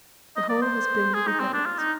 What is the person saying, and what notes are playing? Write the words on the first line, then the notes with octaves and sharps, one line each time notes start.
The whole has been rebuilt.
D#5
D5
C5
G#4
D#4
C4
D4
F4
D#4